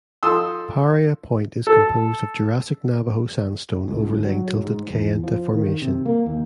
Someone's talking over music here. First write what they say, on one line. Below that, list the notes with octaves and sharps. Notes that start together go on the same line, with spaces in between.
Paria Point is composed of Jurassic Navajo sandstone overlaying tilted Kayenta Formation.
F3 A4 C6 D#6 E6
A4
C#2
G1
F#3
G#2
E2
F3
D#3
C3
A#3
D#2